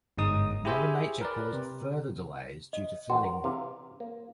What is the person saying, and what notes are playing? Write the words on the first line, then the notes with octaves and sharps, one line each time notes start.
Mother Nature caused further delays due to flooding.
G1 G#2 D#4 D#6
E4 G4 G#4 C5 E5 G#5
A#4 B4 D5
C3
D#5
A1 F#4 C6
A#4
C3 E3 F5
A#3